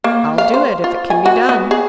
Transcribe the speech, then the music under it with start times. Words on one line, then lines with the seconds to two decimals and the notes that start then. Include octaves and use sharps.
"I'll do it--if it can be done."
0.04 A#3
0.38 F5
0.54 C5
0.84 F4
1.10 G#5
1.26 F#4
1.49 B3
1.71 G#4